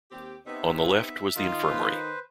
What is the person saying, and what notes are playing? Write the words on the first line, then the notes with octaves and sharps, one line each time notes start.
On the left was the infirmary.
D#2 C4 G4
C3 B3 D#4 E5
D#3 D#4 F4
B4 C5